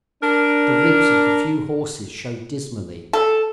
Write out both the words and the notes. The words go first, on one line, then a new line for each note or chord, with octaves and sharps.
The ribs of the few horses showed dismally.
D4 A#4
A4